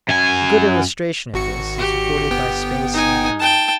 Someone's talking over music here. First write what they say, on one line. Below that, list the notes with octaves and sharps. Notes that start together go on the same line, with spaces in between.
A good illustration of this is afforded by space and time.
F#2 G#5
G#1 F#4 C#7
G4
G1 B3 G5
D#4 G#5
G5 A5